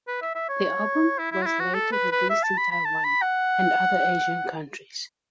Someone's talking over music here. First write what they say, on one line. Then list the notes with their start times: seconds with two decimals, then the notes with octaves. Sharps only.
The album was later released in Taiwan and other Asian countries.
0.08 B4
0.22 E5
0.35 E5
0.49 C#5
1.19 E4
1.32 E4
1.42 F#4
1.46 E4
1.60 F#4
1.74 A4
1.92 B4
2.12 B4
2.30 E5
2.43 A5
2.58 B5
2.71 B5
2.85 A5
3.04 B5
3.22 F#5